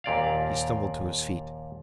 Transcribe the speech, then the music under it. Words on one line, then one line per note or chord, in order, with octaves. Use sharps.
He stumbled to his feet.
D#2 A#2 D5 F5